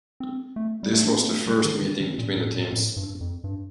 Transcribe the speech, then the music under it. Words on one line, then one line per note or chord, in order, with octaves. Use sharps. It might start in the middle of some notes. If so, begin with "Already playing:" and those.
This was the first meeting between the teams.
C4
A3
G3
A3
D4
C4
A#3
A3
G3
D#3
D#3
D#3
A#2
A2
A#2
A2
G2
F2
G2